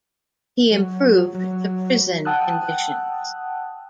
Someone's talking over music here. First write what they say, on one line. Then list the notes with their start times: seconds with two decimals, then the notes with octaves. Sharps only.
He improved the prison conditions.
0.71 F#3
1.35 F#3
2.25 F#5 G5 A5 D#6 E6 F#6